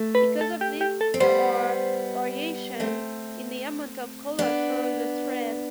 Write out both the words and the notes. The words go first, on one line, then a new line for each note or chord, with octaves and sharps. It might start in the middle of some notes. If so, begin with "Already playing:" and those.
Because of this, there are variations in the amount of color throughout the thread.
Already playing: A3
B4
A4
G4
G4
A4
C4
G3 B3 C5
A3 C4
B3 D4